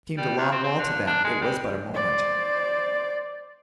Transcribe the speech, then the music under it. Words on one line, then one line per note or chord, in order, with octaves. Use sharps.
It seemed a long while to them--it was but a moment.
G3
E2
C4
C4
D3
D4
G#3
G3
C5 D5